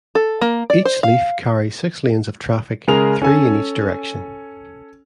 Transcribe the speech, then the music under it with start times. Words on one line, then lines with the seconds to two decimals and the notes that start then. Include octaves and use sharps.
Each leaf carries six lanes of traffic-three in each direction.
0.15 A4
0.41 A#3
0.70 D5
0.85 C5
1.03 F5
2.88 C#3 G#3 G#4 A#4 F7
3.22 C#4 A4 G#5